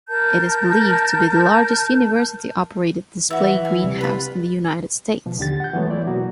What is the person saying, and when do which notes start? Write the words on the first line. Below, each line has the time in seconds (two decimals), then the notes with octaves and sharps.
It is believed to be the largest university-operated display greenhouse in the United States.
0.08 A#4 A5 G6
3.30 E3 F#4 E5
3.65 G#5
3.84 C3 G3
4.01 F4 B4 B5
5.26 B2 F3
5.39 D#2 D3 G4 A6
5.60 F#5 G6
5.73 E3 F#3 G#3 A3 B3 C#5
5.90 E3 E4 F4 D5
6.07 B2 F#3 A#3 B3 F#4